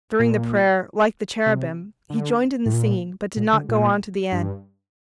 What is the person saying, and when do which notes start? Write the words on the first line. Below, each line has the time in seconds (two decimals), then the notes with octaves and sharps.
During the prayer, "Like the Cherubim," he joined in the singing but did not go on to the end.
0.19 A#2
1.46 C3
2.10 D3
2.66 A2
2.73 A#2
3.37 A#2
3.53 D3
3.69 A#2
4.32 G2